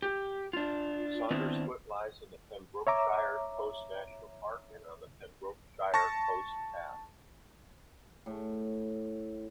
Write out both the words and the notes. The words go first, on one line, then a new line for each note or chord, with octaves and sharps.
Saundersfoot lies in the Pembrokeshire Coast National Park and on the Pembrokeshire Coast Path.
G4
D4 F4
D#3 B3 C4 D4 E4 F4
C#5 E5 A#5 D6
A5 C#6 A#6
A2